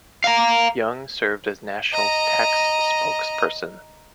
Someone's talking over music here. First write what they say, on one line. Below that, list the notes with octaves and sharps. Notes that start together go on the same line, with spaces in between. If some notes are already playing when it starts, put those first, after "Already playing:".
Young served as National's tax spokesperson.
F5 A#5
D#5 A#5